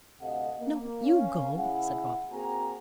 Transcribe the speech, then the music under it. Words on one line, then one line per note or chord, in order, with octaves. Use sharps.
"No, you go," said Robin.
D2 C3 A4 D#5 F5 F#5
A#3
C#4 F5
C#3 E4 G#4 F#5
A#3 C4 F#4 G#4 G#5 A#5